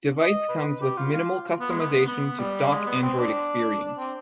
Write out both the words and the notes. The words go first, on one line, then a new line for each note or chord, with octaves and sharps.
Device comes with minimal customization to stock Android experience.
D#5
B4
G4
F4
F4
B3
G#3
B3
B3
G3
G#3
B3
C4
D4
C4